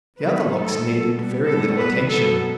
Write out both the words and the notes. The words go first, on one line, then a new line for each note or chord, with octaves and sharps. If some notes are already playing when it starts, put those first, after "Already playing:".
The other locks needed very little attention.
D#3 F#3 B3 B4
D#3 A3 A4
B2 F#3 A3
B2 G3 B3
B2 G3 B3 A4
B2 G3 B3 B4
B2 F#3 B3 A4